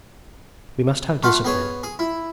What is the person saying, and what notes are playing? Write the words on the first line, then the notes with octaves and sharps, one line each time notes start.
We must have discipline.
A3 F4 F5 F#5
B3 G#4 C#5
G#4
E4